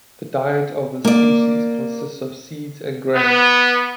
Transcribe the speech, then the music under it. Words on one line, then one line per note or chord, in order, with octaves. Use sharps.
The diet of this species consists of seeds and grain.
A#3 D5
B3